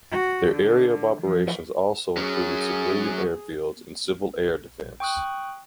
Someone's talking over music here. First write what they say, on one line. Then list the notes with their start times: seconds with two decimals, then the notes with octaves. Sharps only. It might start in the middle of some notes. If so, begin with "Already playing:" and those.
Their area of operations also included civilian airfields and Civil Air Defense.
0.12 F#4
0.51 D3
1.21 F3
2.17 F#3 C#4 G#4
5.00 G5 C#6 D#6 F#6